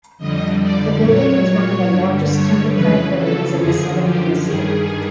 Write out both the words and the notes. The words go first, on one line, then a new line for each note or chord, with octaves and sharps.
The building is one of the largest timber clad buildings in the southern hemisphere.
F2 D3 G3 D#5
D5
A#2 F#3 C#5
G2 D3 G3
C#5
F2 C#3 E3 B4
A4
F#2 D3 F3 G#4
G4
G2 D#3 G3 G#4